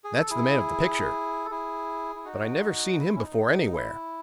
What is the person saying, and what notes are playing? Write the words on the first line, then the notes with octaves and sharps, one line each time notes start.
"That's the man of the picture; but I never seen him before, anywhere."
G#4
A4
E4 G#4
A4
E4 G#4
E4
D#4 F#4
E4
C#4
D#4
D#4
E4